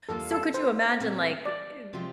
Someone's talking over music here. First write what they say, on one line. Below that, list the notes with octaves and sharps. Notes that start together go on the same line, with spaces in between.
So could you imagine, like, uh,
E2 E3 G3 A#3 F4 A4
A4
C5
A#2 A3 C4
D5
C3 F3 C4 G4